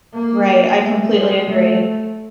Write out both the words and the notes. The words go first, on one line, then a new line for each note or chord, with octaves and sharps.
Right, I completely agree.
A#3
A3
G#3
A3